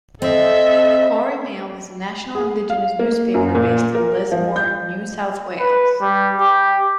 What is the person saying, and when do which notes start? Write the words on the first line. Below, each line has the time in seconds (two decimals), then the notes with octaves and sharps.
Koori Mail is a national indigenous newspaper based in Lismore, New South Wales.
0.22 C4 A4 D#5 E5
2.35 G#4
2.70 F5
2.99 A#3
3.34 F#2
3.55 A#2
3.95 A#4
4.32 F3
4.56 G6
5.59 B4
6.02 G3
6.39 G4